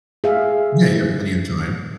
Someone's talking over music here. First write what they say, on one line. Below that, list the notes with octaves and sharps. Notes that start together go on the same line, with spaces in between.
Yeah you have plenty of time.
G#4 E5 F5